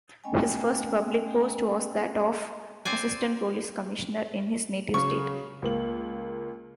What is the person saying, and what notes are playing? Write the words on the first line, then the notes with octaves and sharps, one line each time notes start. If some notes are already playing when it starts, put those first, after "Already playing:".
His first public post was that of Assistant Police Commissioner in his native state.
A3 B3 C#4 D#5 G5 G#5
C4 C5 D5 G#5
C#3 F#3 C#6
C#2 A#3 F#7